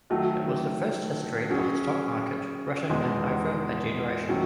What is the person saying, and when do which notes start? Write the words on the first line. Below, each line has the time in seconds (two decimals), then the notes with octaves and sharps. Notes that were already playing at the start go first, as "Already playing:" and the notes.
It was the first history of the stock market written in over a generation.
0.10 D#3 F#3 A3
1.50 F#3 C#4 G#4
2.89 E2 B2 G#3 D#4
4.29 D#3 F#3 A3 C#4